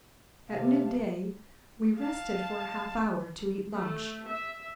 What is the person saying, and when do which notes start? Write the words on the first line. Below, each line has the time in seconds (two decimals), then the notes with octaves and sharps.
At mid-day we rested for a half-hour to eat lunch.
0.48 C3 F5 A5
1.99 F5 A5
3.75 A3
4.26 E5